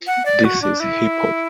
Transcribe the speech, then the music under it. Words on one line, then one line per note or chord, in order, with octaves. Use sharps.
This is hip-hop!
F#5
D5
F#4
D4
E4